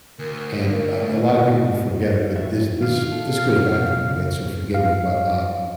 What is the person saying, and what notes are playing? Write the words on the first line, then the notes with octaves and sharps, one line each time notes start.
and, uh, a lotta people forget it, but this this this goes back a little bit, so forgive me, but, um,
D2 A#4
A3
F2 F#4 E5
D#3 D4 F5
A4
B2 F3 F#4
C#3
F5